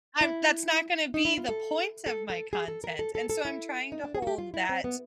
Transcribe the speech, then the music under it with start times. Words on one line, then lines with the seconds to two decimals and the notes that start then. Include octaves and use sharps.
I'm that's not gonna be the point of my content, and so I'm trying to hold that
0.21 E4
1.14 D#4
1.25 E4
1.38 F4
1.49 A4
2.06 A4
2.30 A4
2.53 G#4
2.68 A4
2.84 A#4
2.99 A4
3.15 A4
3.29 A4
3.45 E4
3.92 D#4
4.04 D4
4.15 G#4
4.22 F#4
4.27 G4
4.38 F4
4.54 E4
4.69 C4
4.84 B3